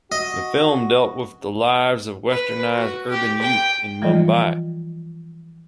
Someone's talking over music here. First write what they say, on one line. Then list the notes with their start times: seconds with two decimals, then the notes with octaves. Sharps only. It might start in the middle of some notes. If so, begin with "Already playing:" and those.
The film dealt with the lives of westernised urban youth in Mumbai.
0.12 F#4 D#5
2.31 B4
2.74 F#4
3.09 G4
3.41 G5
4.02 E3 F3 G3 F4 D5 D#5